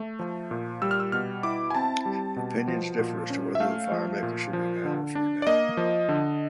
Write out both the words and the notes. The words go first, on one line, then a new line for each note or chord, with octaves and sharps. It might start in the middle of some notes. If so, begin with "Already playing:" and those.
Opinions differ as to whether the fire-makers should be male or female.
Already playing: A3
F3
A#2
G3 E6
F6
E6
B2 F6
E4 D6
G#5
C4 A5
G3
B2
F3
A#2
C#4
E5
A3 F5
F3
A#2
F3
D3
D4
D5
A#3 D#5
F3
D3